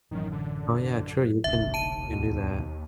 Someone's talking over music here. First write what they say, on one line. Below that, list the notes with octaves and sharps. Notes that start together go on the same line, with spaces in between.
Oh, yeah, true, you can you can do that.
A1 F#2 D#3 E3 F#3
D3
F1 A#1 D#2 C#3 D4 E5
E1 A5 D#7
C#2 B2